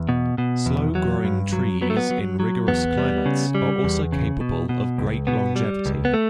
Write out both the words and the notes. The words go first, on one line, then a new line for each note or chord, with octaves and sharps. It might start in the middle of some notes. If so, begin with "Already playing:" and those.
Slow-growing trees in rigorous climates are also capable of great longevity.
Already playing: E2
B2
B2
E2
F#3
G2
F#3
F#3 B3
A3
B3
F#3
F#3
E2 B3
G3
C#3
G3
E2
C#3
B2
B2
C#2
B2 B3
G3
C#2
B3
A3